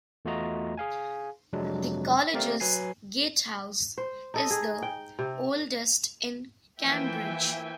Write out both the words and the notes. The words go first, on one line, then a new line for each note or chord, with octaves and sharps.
The college's gatehouse is the oldest in Cambridge.
E2 A3 F4 F#4 D#5 A#5
G#4 F5 G#5
F2 C3 F#3 G#3 D4
A3 C4 G4 A#4 D5 F5
F#3 B4 G#5 C7
C5
D#4 A4 D#5
G#4
G5
C3
E3 F3 A#3 E5 G5 G#5